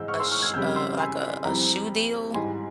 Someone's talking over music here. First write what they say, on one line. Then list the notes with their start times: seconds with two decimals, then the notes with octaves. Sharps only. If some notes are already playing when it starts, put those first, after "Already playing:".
a sh uh, like, a a shoe deal,
Already playing: G#2 E3 G#3 C4 E6 G6
0.08 C#6 F6
0.20 C6 E6
0.31 C#6 F6
0.42 F6 G#6
0.54 F2 C#3 G3 E6 G6
0.76 C6 E6
0.98 G#5 C6
1.44 F2 E3 G3 C4 G5 A#5
2.34 G#2 E3 G3 G#5 C6